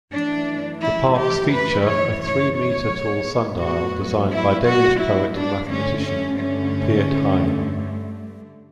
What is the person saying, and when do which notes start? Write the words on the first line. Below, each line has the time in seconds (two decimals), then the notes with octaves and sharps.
The parks feature a three-meter-tall sundial designed by Danish poet and mathematician, Piet Hein.
0.11 F#2 E3 A3 D4
0.80 E4
1.16 G4
1.50 B4
1.86 C#5
2.21 C#5
2.55 C#5
2.89 A2 F#3 B3
3.59 F#4
4.29 E4
4.64 F#4
4.98 E4
5.34 D4
5.68 G2 D3 A3 C#4
6.03 C#4
6.38 C#4